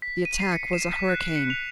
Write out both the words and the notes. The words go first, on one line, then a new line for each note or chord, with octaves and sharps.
The attack was a hurricane.
B6
D#7
C7
C#7
E7
B6
F#6
C#7
F7